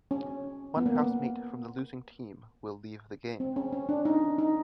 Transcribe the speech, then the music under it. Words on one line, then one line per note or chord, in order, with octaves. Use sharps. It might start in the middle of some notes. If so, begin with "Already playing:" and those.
One housemate from the losing team will leave the game.
C#4
B3
A#3
B3
C4
C#4
C#4
D4
D#4
D#4